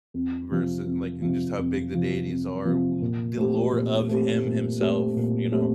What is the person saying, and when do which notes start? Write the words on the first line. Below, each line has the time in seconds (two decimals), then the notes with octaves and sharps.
versu and, like, and just how big the deities are, th the lore of him himself, you know,
0.14 F2
0.51 C3 F3
0.86 F2
1.22 C3 F3
1.58 F2
1.94 C3 F3
2.30 F2
2.65 C3 F3
3.01 A#2
3.37 A3 C4 G4
3.73 A#2
4.09 A3 C4 G4
4.45 A#2
4.81 A3 C4 G4
5.16 A#2
5.52 A3 C4 G4